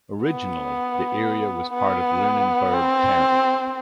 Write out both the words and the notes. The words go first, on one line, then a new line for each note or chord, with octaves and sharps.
Originally the area was part of Lunenburg County.
B3
B3
C4